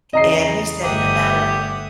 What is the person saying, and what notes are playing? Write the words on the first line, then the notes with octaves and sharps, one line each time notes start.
and he said, "No matter"
E2 C#3 D#5 A#5 C7
G1 A3 G4 E5 F#5 D#6